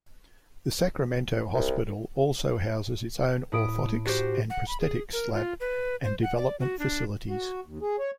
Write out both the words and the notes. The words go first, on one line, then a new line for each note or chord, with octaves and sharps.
The Sacramento hospital also houses its own orthotics and prosthetics lab and development facilities.
C2
A2 B5 D#6 D7
F#4 G4 C5
F#5
B5
G#4
A#4
F4
B4
C5
F#5
D5
F#4
D4
F#4
D#2
G#4
C#5